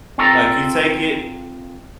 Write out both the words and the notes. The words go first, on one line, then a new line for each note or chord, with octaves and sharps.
like, you take it,
C4 F4 A4 A#5